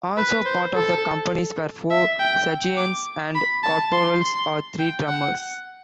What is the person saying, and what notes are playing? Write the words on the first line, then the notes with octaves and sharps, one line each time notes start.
Also part of the companies were four sergeants and corporals and three drummers.
B4
C5
A4
E5
G5
D6
B5
A5
C6
C6
G5
F#5